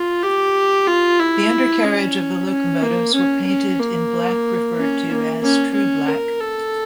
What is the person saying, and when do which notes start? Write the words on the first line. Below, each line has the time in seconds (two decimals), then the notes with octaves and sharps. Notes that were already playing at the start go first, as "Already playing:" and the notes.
The undercarriage of the locomotives were painted in black referred to as True Black.
Already playing: F4
0.23 G4
0.87 F4
1.19 E4
1.84 C#4
2.50 C#4
2.82 A#3
3.14 C#4
3.47 C#4
3.80 A#3
4.77 C#4
5.10 A#3
5.43 C#4
5.74 C#4
6.08 A#4
6.40 A4